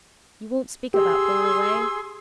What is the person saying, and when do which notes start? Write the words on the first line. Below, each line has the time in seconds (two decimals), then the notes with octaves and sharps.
You won't speak about goin' away?'
0.94 G4 G#4 C6 E6